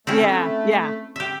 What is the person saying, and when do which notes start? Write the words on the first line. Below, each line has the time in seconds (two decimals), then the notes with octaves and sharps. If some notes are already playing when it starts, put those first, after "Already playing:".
Yeah, yeah.
0.07 A3 C4 C#4 E4
1.16 G4 E5